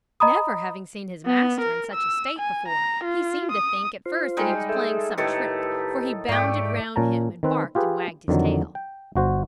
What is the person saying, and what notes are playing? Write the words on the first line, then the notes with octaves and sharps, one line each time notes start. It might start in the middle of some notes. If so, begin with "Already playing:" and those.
Never having seen his master in such a state before he seemed to think at first that he was playing some trick, for he bounded round him, and barked, and wagged his tail.
D#5 A#5 B5 D#6
B3
A#4
E6
G#5
A#5
F4
D#6
F4 C5
G3 G#3 D#4
G#4 A4 E5
A2 D#3 G4 A4 B4
G#2 A3 G4 D5
A#2 C#4 A5 A#5
D#3 C4 B4
F4 G4 G#4 B4
F2 D3 D#3 F#3
G5
G1 F#4 C5